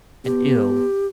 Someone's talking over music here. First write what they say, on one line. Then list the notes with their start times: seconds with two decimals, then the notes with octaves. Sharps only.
And ill....
0.25 B3 G4